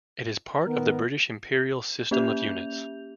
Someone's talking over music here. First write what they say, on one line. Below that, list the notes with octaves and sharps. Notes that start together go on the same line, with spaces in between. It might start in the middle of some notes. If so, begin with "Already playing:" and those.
It is part of the British Imperial system of units.
D#3 B3 A#4
A#3 C#4 G4 E5 G6 F7